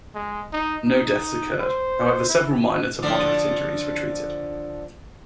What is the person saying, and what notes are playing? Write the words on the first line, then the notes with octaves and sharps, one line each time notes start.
No deaths occurred, however several minor to moderate injuries were treated.
G#3
D#4
D#4
C5
E4
D3 F3 D5